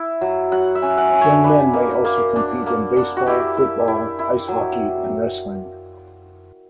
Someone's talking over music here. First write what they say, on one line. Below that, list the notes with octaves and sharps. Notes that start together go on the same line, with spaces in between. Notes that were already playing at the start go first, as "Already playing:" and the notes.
Young men may also compete in baseball, football, Ice Hockey, and wrestling.
Already playing: E4
F#3
F#3 F#5
E5
C#4
F#5
C#4
C#5
D4 B4
A#3
A#3
D4
A#3
D4
F#4
E4 G4
E4
E4
E4
F#3